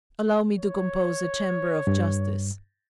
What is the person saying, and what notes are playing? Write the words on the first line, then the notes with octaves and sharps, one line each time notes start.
"Allow me to compose a chamber of justice."
C#5
G2